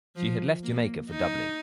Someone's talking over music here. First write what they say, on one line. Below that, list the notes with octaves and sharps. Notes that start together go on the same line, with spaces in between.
She had left Jamaica for Dublin.
F3
A#3
D#4